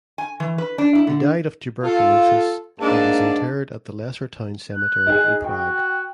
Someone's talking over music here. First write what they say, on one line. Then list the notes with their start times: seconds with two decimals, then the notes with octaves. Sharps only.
He died of tuberculosis and is interred at the Lesser Town Cemetery in Prague.
0.18 G#5
0.40 E3
0.58 B4
0.78 D4
0.95 E4
1.07 D3
1.83 F4 A4
2.81 G#2 A#3 D4 A5
4.73 F#6
5.06 D#4 G#4
5.44 F#4 G5